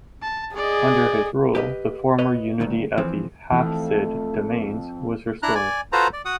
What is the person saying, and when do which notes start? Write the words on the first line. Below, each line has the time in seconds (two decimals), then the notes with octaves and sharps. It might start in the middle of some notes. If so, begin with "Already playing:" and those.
Under his rule the former unity of the Hafsid domains was restored.
0.22 A5
0.56 G#4 D5 D#5
1.55 G4 B4 D#5
2.19 B4 C#5 D#5
2.60 D2 G2 D#3
2.98 E3 F3 C4
3.52 F2 E3 A3
5.43 D4 E4 A#5 F#6
5.55 D5 G#5
5.92 F4 F#4 A4 B4 C5 A#5
6.13 D5
6.25 F#4 F#5 D#6